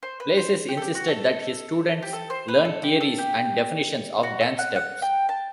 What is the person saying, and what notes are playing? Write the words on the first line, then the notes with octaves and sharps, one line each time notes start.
Blasis insisted that his students learn theories and definitions of dance steps.
C5
B4
C5
G4
A4
G4
F#4
A4
G4
A4
C5
B4
A4
G4
A4
G4
F#4
A4
F#5
F#5
G5
A5